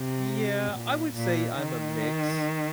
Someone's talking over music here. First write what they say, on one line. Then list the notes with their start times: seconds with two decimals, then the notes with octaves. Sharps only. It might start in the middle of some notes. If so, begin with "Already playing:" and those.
Yeah, I would say I'm a mix.
Already playing: C3
0.72 A#2
1.16 A#2
1.60 D#3